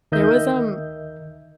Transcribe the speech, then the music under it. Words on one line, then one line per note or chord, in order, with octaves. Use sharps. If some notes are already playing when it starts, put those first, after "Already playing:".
There was, um
D2 D#3 A#4 D#5 E5 G6